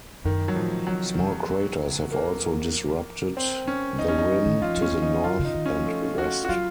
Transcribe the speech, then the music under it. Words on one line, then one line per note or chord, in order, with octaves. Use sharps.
Small craters have also disrupted the rim to the north and west.
F#2 D#3
F#3
A2 F3
C3 F#3
C#3
F3
A#3
C4
C#4
F#3 D#4
C#4
F#3 D#4
F3
D#3
F3 F4
F#3
C#4
F3
D#4
D#3 F4
C#3
D#4
D#3
C#4
F3
A3
F#4
F#4
F#3 F4